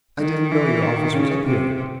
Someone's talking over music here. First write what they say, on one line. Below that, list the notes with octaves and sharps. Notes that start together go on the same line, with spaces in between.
"I didn't know your office was up here."
D#3
E3
D#3
C#3
C3